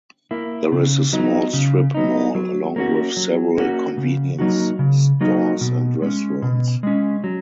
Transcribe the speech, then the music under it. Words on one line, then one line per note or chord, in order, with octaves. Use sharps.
There is a small strip mall along with several convenience stores and restaurants.
A#3 E4
C#3
F#3 B3 D#4
C#3
F#3 B3 D#4
F#3
A#3 C#4 F#4
F#3
A#3 C#4 F#4
C#3
F#3 A#3 D#4 F#4
C#3
F#3 A#3 D#4 F#4
B2
G#3 C#4
B2
G#3 C#4
F#3